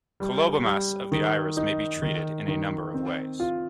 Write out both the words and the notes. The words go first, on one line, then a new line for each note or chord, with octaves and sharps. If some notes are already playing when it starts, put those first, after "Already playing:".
Colobomas of the iris may be treated in a number of ways.
G3
G3
D#3
D#4
D#3
D#3
C4
F4